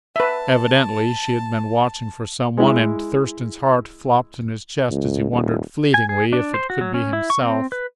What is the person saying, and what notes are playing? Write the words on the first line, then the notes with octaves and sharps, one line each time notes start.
Evidently she had been watching for some one, and Thurston's heart flopped in his chest as he wondered, fleetingly, if it could be himself.
B4 E5 A5
G#3 E4
C#2
D#1
G#5
G#4
D4
C5
F#4
F#3
C#4
E4
C#6
C4
B4